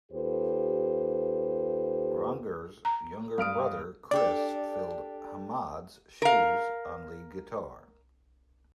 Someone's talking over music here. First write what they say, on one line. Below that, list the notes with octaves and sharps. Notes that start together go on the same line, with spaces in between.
Rogner's younger brother Chris filled Hamada's shoes on lead guitar.
D#2 F4 G4 A4 B4 C5
A#5
G2 F5 D#6 F6 D7
D4 G4 A4 D5
A#4 F5